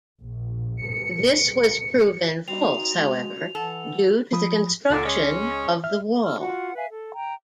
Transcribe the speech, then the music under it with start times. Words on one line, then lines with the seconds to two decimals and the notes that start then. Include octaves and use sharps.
This was proven false however due to the construction of the wall.
0.21 A#1
0.87 C#7
2.48 G3 C4 F#4 F7
2.68 D#4 F7
2.95 G#3
3.55 E3 A4 F#5
4.32 F3 B5 D#6
4.90 C#2 A#2 D3 D6
5.06 G#3 C#4
5.84 E5 F6
6.25 E6 F6
6.40 F4 F#4 F#5
6.76 B4 E5 F5 G#5
6.90 A4
7.14 G5 A#5